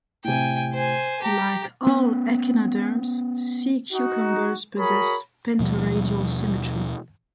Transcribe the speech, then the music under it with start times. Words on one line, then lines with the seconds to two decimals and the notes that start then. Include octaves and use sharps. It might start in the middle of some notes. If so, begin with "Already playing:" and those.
Like all echinoderms, sea cucumbers possess pentaradial symmetry.
0.24 A2 C3 G5 G#5
0.73 C5 G#5
1.22 G4 A5 A#5
1.86 B3 C#4
3.93 D#4 F#4
4.77 F#4 G#4 A#4 C#5 B5
5.59 D#2 B2 F3 G3